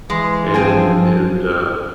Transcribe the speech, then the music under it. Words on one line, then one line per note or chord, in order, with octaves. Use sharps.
and and, uh
E3 G#3
F3 C4 G#4